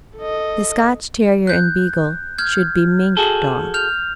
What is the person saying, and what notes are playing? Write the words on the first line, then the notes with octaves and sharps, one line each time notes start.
The Scotch Terrier and Beagle should be mink dog.
A4 D#5
F#6 G6
F6 G6 G#6
F#4 G#4 A4
F6 G6 F7